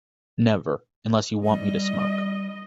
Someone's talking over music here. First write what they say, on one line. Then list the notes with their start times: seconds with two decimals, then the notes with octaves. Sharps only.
Never, unless you want me to smoke.
1.46 G3 D#5